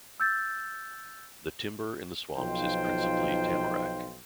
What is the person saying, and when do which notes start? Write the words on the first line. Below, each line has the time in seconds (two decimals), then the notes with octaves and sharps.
The Timber in the Swamps is principally Tamarac.
0.20 E6 G6 A6
2.35 B1 F3 D#4 F4 C5 G5